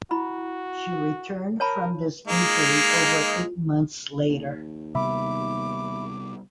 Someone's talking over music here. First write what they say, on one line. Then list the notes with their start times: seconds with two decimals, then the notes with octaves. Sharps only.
She returned from this injury over eight months later.
0.11 E4 F#4 B5
1.60 A#4 C#5 A5 B5
2.27 G#3 A#3 D#4
4.29 D#2
4.95 C3 G3 B3 E5 B5 D6